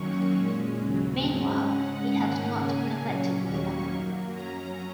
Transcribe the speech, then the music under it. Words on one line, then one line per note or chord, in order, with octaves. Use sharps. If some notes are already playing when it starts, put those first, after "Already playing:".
Meanwhile, he had not neglected the novel.
Already playing: F#2 D#3 F#3 A#3 C#4 C#6
A#2 G#3 C#4
D#2 C#3 F#3
G#2 G#3 C#4
C#3 G#3 C#4 F#5
G#2 D#3 A#3 C#4 F#5
C#3 A#3 C#4 G#5
A#2 F#3 C#4
D#2 D#3 F#3 A#3 C#4 C#6
F#2 F#3 A#3
F#2 F#3 C#4 A#5